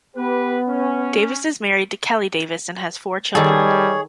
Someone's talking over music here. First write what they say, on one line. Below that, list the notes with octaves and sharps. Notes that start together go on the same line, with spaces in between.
Davis is married to Kelly Davis and has four children.
B3 G4 B4
C#4
D#3 G3 G#4 A4 C#5